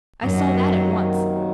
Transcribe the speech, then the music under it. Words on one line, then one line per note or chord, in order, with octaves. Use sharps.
I saw that at once.
F#2 C3 D#3 F#3 A#3